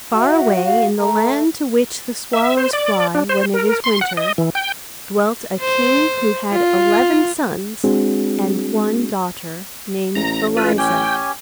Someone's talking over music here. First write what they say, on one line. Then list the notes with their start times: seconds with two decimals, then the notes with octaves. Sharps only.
FAR away in the land to which the swallows fly when it is winter, dwelt a king who had eleven sons, and one daughter named Eliza.
0.14 F#4 E5
0.64 F5
0.99 A3 A#5
2.33 E5
2.57 C5
2.73 D5
3.15 D4
3.29 C5
3.54 A#4
3.84 C6
4.01 F#5
4.17 D#5
4.38 E3
4.55 G5
5.60 C5
6.53 F4
7.84 G#3 C4 D4 F#4 G#4
10.15 A1 A#5
10.57 F4 B4
10.78 C#4 G4 G5 G#5